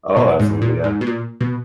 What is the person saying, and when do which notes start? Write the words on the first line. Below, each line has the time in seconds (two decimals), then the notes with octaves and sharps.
Oh, absolutely, yeah.
0.16 B2
0.39 G#2
0.62 A#2
0.84 G#2
1.01 B2
1.07 A#2
1.41 B2